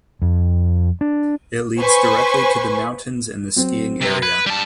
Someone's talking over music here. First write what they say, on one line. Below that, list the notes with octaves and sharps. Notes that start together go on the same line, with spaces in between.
It leads directly to the mountains and the skiing area.
F2
D4
B4 C5 G#5 C#6
F#3 C4
C3 B4 A#6
B4 G#6
G3 A5